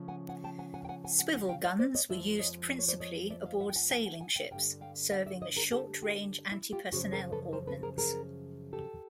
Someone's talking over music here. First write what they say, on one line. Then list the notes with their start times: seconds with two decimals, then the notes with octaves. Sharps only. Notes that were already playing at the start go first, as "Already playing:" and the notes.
Swivel guns were used principally aboard sailing ships, serving as short-range anti-personnel ordnance.
Already playing: C#3 F3 A3 C#4
0.08 F#5 G#5
0.29 F#5 G#5
0.44 G5 A5
0.59 F#5 G#5
0.74 F#5 G#5
0.85 G5
0.89 F#5 G#5
1.04 F#5 G#5
1.19 F#5 G#5
1.34 F#5 G#5
1.49 F5 G5
1.64 D5 E5
1.79 C5 D5
1.95 C#5 D#5
2.09 F2 C#3 F3 G#3 D5 E5
2.39 C#5 D#5
2.70 D5
2.79 C#5
2.88 C5 D5
3.00 C#5 D#5
3.30 D5 E5
3.45 D#5 F5
3.60 E5 F#5
3.69 G5
3.76 F#5 G#5
3.90 G5 A5
4.06 F#5 G#5
4.20 F#5 G#5
4.36 F5 G5
4.51 G2 D3 G3 F5 G5
4.81 F5 G5
5.11 E5 F#5
5.26 D5 E5
5.42 C#5 D#5
5.56 G#4 A#4
5.71 G4 A4
6.02 F4 G4
6.52 E4
6.72 F4 G4
6.92 F#2 C#3 F3 F#4 G#4
7.12 G#4 A#4
7.32 A4 B4
7.53 A#4 C5
7.67 A4 B4
7.83 G#4 A#4
7.98 G#4 A#4
8.73 G4 A4